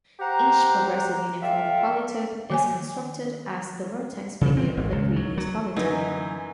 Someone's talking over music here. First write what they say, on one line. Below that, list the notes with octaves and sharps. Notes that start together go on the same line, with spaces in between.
Each progressive uniform polytope is constructed as the vertex figure of the previous polytope.
G4 C5 F#5 A#5
F4 A4 D5 E5 F5 G5
D#3 A#3 G#5
C#3
C4
G#1
C#2
F#3
F#3
F#2 D3 E3 F#3 A#3 D#4